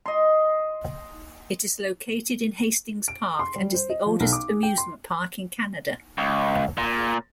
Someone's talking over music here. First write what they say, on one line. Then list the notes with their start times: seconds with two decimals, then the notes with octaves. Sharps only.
It is located in Hastings Park and is the oldest amusement park in Canada.
0.06 D#5 C6
3.08 D7
3.39 C6
3.56 G3
3.74 C5
3.90 D#5
4.06 F3
4.20 B1
4.33 D6
4.48 G#4
4.63 G5
4.78 C6
6.18 C#2
6.78 A#2